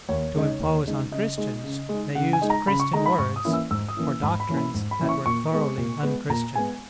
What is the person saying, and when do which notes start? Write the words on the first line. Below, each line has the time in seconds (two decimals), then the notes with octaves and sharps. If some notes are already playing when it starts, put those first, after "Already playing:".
To impose on Christians they used Christian words for doctrines that were thoroughly unchristian.
0.09 D#2 C#5
0.35 C#3 G#3 D#4
0.60 D#2
0.86 C#3 G#3 D#4
1.11 C#3 D#5
1.38 G#3 D#4
1.64 C#3
1.89 G#3 D#4
2.15 C#3 F#5
2.33 G#5
2.42 G#3 D#4
2.50 A#5
2.67 C#3 B5
2.80 C#6
2.93 G#3 D#4 A#5
3.06 B5
3.18 G#2 C#6
3.36 D#6
3.45 E3 A#3 C#4 E4
3.54 E6
3.71 G#2 E6
3.89 D#6
3.97 E3 A#3 C#4 E4
4.23 G#2 B5
4.40 B5
4.49 E3 A#3 C#4 E4
4.57 B5
4.74 G#2
4.91 B5
4.99 E3 A#3 C#4 E4
5.09 C#6
5.26 A#2 C#6
5.52 G#3 B3
5.78 A#2
6.03 G#3 B3
6.29 A#2 A#5
6.56 G#3 B3 G#5